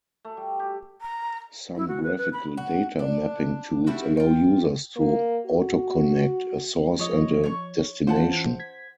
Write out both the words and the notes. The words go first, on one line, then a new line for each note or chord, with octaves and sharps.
Some graphical data mapping tools allow users to "Auto-connect" a source and a destination.
A3
G3
G4
A#5
E4
F#4
B4
B4
B5
F#4
D4
G3 A3 E4 F#4
F4 G5
A#3
F#4
F3 C#5 D#5
C#5 C#6
E3 C#4 F4 C5 F#5 A5
G#6 B6